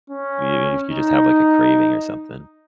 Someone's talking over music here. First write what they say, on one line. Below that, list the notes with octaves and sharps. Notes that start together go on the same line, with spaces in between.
you you could just have, like, a craving or something.
C#4
D#4